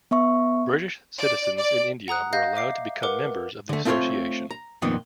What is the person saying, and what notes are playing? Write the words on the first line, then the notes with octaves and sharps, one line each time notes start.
British citizens in India were allowed to become members of the association.
B3 E5 C#6
D5
D5
F#5 A#5 D#6 F#6
D#5 F5 G6 A#6
E5 D6 C7
A#4 B4 F#5 D6
D3 A3
A3 C4 F4 A4 C5 C#5
A#5
F2 A#2 D#3 B3 C4